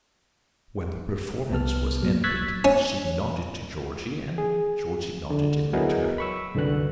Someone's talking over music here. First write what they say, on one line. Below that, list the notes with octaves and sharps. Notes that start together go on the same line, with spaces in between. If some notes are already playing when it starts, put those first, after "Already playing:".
When the performance was ended she nodded to Georgie, and Georgie nodded in return.
C2 B3 A5 F6
A#2 F#3
C#6 E6 F#6 G#6 A6 B6
C#4
G#4
D3
F#3 B3 E4 G#4 A#4 D#5
B5 C#6 E6
C2 F#2 D3 B4 F#6